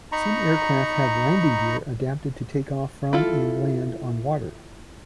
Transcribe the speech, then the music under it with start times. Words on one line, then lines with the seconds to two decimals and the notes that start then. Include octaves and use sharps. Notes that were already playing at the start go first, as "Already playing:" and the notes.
Some aircraft have landing gear adapted to take off from and land on water.
0.12 D#4 A#5 B5 C#6
3.13 E4 F4 A4